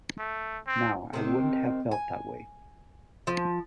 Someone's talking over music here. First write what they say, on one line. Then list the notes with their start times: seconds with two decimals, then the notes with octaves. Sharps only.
Now, I wouldn’t have felt that way.
0.18 A3
0.67 C4
1.13 C3 D#3 C4
1.91 G#5
3.27 F3